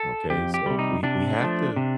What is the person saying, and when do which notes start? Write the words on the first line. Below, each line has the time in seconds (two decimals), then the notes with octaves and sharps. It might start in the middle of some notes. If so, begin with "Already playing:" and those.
Okay? So we we have to,
Already playing: A4
0.30 F2 G4
0.54 G4
0.66 C3 G3
0.79 D#4
1.03 C3 D4
1.40 F3 A3
1.76 C3